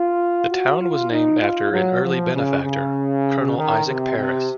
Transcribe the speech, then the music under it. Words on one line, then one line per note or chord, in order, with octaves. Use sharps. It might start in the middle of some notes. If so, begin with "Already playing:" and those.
The town was named after an early benefactor, Colonel Isaac Paris.
Already playing: F4
F#4
F4
D#4
F4
F#3
F3
C#3
C#3
D#3
C3
C3